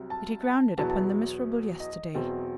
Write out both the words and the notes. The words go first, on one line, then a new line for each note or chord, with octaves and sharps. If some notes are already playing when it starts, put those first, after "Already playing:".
Did he ground it upon the miserable yesterday?
Already playing: C2 C3 F#3
A5
E2 B2 F#3 B3 E4 A5
A5
D#5
E2 B2 F#3 C4